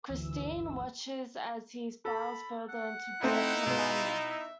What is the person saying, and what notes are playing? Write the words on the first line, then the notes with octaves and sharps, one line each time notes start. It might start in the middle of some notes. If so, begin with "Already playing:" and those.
Christine watches as he spirals further into obsession and madness.
G1 D2 E3 E6
A4 B5
F#5
A3 C4 D#4 E4 C5
B2 B3 F4
E5